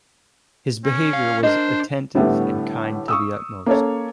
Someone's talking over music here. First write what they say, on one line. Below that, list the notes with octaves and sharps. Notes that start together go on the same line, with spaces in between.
His behaviour was attentive and kind to the utmost.
C#4
F5
D4 A#4 C5 D#5
A2 D3 G3 A3 B3
C#6 D#6 E6
A#3 C#4 A4 C#5